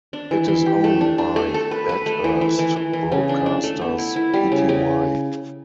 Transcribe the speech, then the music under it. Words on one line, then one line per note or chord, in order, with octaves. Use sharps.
It is owned by Bathurst Broadcasters Pty.
D4
E3
E3
G4
A3
D4
D4
A3
A4
B4
B4
A3
E3
E3
E3
E3
E3
C#3
D4
D4
A3
B3
E4
E4
G3
C#3
C#3